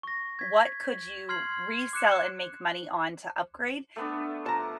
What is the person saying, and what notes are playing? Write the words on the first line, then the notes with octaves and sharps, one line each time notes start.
what could you resell and make money on to upgrade,
C#6 A#6
G#6 B6
C6 F6 G#6 C7 F#7
D6 F#6 C#7 E7
A3 B3 D4
F3 A5 A#5